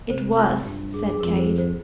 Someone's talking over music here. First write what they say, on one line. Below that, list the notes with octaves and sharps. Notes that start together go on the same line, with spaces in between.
"It was," said Kate.
C3 C5
F4
G2 G4
G#4
G#4
F2 A#4
C5
C5